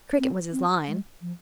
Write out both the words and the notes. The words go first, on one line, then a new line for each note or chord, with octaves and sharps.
Cricket was his line.
C4
C4
G#3
F3